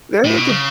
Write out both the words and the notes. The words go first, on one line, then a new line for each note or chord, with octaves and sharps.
There you g
A2
B2
C#3